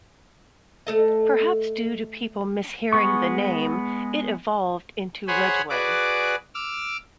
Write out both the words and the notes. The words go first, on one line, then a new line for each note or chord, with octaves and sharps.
Perhaps due to people mishearing the name, it evolved into Rudgeway.
A3 A4 D#5
G#3 B3 C#6
G#4 C5 C#5 F#5 G#5 B5
F#4 G#4 B4 D5 D6
D6 E6 F6